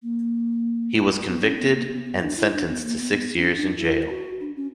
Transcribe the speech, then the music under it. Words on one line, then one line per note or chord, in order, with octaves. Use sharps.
He was convicted and sentenced to six years in jail.
A#3
B3
C#4
B3
A#3
C#4
B3
B3
D4
E4
D4
B3
A#3
B3
B3
C#4
D4
E4
F#4
D4
C#4